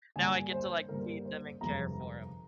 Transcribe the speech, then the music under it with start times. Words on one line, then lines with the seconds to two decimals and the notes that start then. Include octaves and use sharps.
now I get to, like, feed them and care for 'em.
0.16 G2 D3 G3 A#3 G#5
0.52 C5
0.89 G2 D3 G3 A#3 A#4
1.25 C5
1.61 G1 F2 C3 F3 G#3 A#5